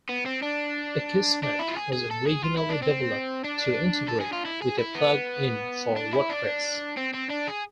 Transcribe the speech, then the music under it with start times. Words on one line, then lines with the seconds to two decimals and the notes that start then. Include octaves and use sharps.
Akismet was originally developed to integrate with a plug-in for WordPress.
0.09 B3
0.26 C4
0.42 D4
1.43 D4
1.59 E4
1.68 F4
1.77 G#4
1.93 G#4
2.11 A4
2.26 G#4
2.43 F4
2.57 E4
2.69 D4
2.82 C4
3.44 D4
4.08 A4
4.21 G#4
4.33 F4
4.45 E4
4.62 G#4
4.78 E4
4.95 B3
5.96 D4
6.13 E4
6.30 D4
6.97 C4
7.14 C4
7.30 D4
7.47 G#4